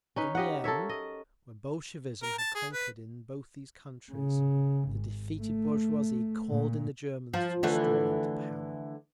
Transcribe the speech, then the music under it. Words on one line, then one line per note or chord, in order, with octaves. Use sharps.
In the end, when Bolshevism had conquered in both these countries, the defeated bourgeoisie called in the Germans to restore them to power....
C#4 D#4 B4
G4 D#5 F5 F#5
A4 A#4 C#5 E5
D#5
A#4
A5
G#4
B4
C#3
G#1
A3
A#2
F3
D3 E3 A3